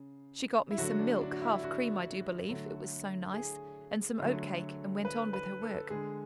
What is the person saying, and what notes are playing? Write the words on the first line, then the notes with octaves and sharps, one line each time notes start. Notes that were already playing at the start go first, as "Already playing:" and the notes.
She got me some milk--half cream I do believe, it was so nice--and some oatcake, and went on with her work.
Already playing: C#3
E4
D3 F#3 A3 F#4
D4
D4
F#4
E4
F#4
D3 F#3 A3
G#4
D3 F#3 A3
B4
B4
A4
D3 G#3 G#4